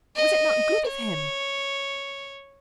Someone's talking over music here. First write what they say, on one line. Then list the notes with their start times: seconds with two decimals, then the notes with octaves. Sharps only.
Was it not good of him?'
0.16 D#5
0.87 C#5